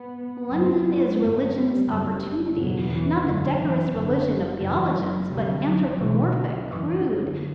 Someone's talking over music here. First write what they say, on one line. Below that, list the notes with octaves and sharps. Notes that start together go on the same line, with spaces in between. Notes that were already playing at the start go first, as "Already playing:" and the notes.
London is religion's opportunity--not the decorous religion of theologians, but anthropomorphic, crude.
Already playing: B3
F#1 F#2 C4
B3
G1 F#2 A3
G3
F#1 F#2 G3
F#1 E2 B2 F#3
E3
F#1 F#2 D3
E3
F#1 F#2 D3
F#1 F#2 E3
F#3
D2 C3 G3
F#3
B1 B2 E3
D3
F#1 F#2 E3
D3